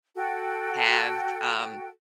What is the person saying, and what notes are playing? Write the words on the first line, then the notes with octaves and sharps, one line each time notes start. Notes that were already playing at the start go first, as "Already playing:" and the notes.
have, um,
F#4 A4 G5